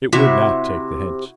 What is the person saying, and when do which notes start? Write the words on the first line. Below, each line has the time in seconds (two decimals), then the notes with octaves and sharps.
It would not take the hint.
0.13 C3 E4 F#4 E5